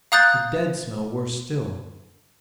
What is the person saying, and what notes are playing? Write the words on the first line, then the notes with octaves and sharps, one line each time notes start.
The dead smell worse still!
F5 A#5 D#6 F#6 G6 A6